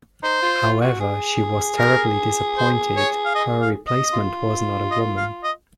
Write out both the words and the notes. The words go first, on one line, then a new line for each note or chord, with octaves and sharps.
However, she was terribly disappointed her replacement was not a woman.
D#4 C5
F4
F4
F#4
G#4
A#4
C5
C#5
F5
D#5
F5
D#5
F4
D#5
F5
D#5